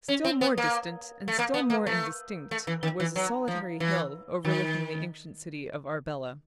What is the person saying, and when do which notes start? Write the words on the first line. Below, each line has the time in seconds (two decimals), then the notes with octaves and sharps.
Still more distant, and still more indistinct, was a solitary hill overlooking the ancient city of Arbela.
0.08 C#4
0.24 C4
0.41 B3
0.58 A#3
1.28 A3
1.39 A#3
1.54 B3
1.70 A#3
1.86 A3
2.51 A3
2.67 E3
2.83 D#3
3.00 E3
3.16 F#3
3.48 F3
3.80 E3
4.45 D#3